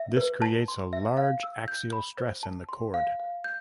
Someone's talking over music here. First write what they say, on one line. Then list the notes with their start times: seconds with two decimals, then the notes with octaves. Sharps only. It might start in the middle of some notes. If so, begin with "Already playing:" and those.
This creates a large axial stress in the cord.
Already playing: E5
0.17 B4
0.42 A5
0.68 C6
0.93 E5
1.17 F5
1.43 E6
1.68 G6
1.93 B5
2.18 C5
2.43 A5
2.69 C6
2.94 F5
3.20 F5
3.44 G6